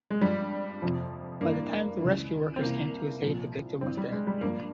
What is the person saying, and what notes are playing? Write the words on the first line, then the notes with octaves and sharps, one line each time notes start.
By the time rescue workers came to his aid, the victim was dead.
G#3
G2 F3 G3
F2 C3 F3
G2 E3 A#3
C#2 C#3 E3
C4
C2 C3 E3 A#3
C2 A#2 F3
G2 E3 C4
G3
G#3
G3
G2 F3 A#3